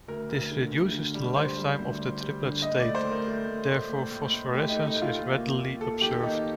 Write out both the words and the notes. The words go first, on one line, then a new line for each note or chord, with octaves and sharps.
This reduces the lifetime of the triplet state, therefore phosphorescence is readily observed.
D2 A#4
D2
D3
D2
D3
G3
G3 C5
G3
D2
G3
G3
D3
A2 D#5
A3 D5
C5
A2
A#4
A3
A2
A2
A2
A2
A2
A3 G4
A3 D#4
D#4
A2
F4
D#2
A#3
D#2
D#2 A4
D#3 G4
A#3 D#4